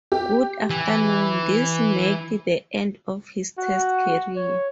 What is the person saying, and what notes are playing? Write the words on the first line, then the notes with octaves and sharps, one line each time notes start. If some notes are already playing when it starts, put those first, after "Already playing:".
Good afternoon. This marked the end of his Test career.
G4
E3
F#4
C#5